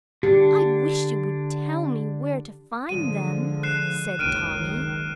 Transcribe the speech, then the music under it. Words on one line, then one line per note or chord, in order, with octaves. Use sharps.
"I wish you would tell me where to find them," said Tommy.
D3 D4 G4
D3 F3 G#3 D#7
F#6 C7 E7
F#1 C#2 D#3 F6 D7 D#7